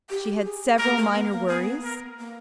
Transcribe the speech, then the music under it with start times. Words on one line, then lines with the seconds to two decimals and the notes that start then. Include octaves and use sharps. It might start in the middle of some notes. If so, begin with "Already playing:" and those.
She had several minor worries.
0.10 G4
0.44 G#4
0.79 A#3 A#4
0.97 A#3
1.13 B3
1.32 A#3
1.48 B3 G#4
1.84 B3 A#4
2.18 A#3